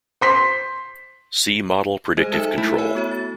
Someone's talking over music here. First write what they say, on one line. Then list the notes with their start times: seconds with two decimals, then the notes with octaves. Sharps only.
See Model predictive control.
0.21 C5 C6 B6
2.17 G#3 C5
2.32 D#4 A4 E5 E7
2.58 A3 E4
2.78 C#5 G#5 E6
2.95 B3 F#4 C#5
3.11 A6